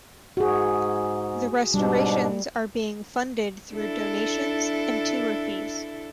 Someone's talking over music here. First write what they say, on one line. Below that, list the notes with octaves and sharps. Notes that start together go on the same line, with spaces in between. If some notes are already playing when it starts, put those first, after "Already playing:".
The restorations are being funded through donations and tour fees.
G#2 F#4 G#4
G#2 B2 G3 D4
D4 E4 A4